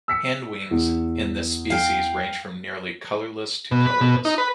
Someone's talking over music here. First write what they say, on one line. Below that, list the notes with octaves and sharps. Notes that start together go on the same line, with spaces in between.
Hindwings in this species range from nearly colorless to colorless.
E6 B6 C#7
E2
F5 G5
B2
B4
B2
D#4
B4